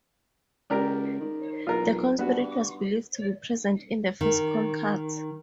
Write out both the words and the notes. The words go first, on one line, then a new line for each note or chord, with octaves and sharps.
The corn spirit was believed to be present in the first corn cut.
C#2 G4 A#4 D5
D#3
B1 F4 A#4
G2 B3 F#4
D#3